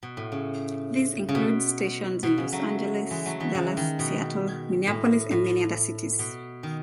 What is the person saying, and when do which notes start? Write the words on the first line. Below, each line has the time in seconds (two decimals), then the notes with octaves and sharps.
These include stations in Los Angeles, Dallas, Seattle, Minneapolis and many other cities.
0.03 B2
0.17 A2
0.32 C#3
1.29 C#3
1.35 B2
2.23 B2
2.38 C#3
2.52 F#3 A3
3.10 E3 G#3
3.26 F#3 A3
3.40 E3 G#3
3.55 C#3 E3
3.77 D#3
3.99 B2
4.87 A2
5.31 A2
6.19 B2
6.63 D#3